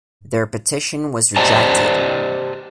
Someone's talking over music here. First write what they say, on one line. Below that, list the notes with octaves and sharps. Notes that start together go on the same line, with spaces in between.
Their petition was rejected.
G4 C5 D5 D#5 A5 A#5